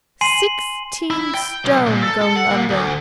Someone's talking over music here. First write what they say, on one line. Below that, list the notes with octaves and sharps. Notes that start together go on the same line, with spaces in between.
Sixteen stone going under.
G#5 C6 C7 D#7 F#7
E4
G5
B1
A#2
A4
A4
F#5
A#2
D2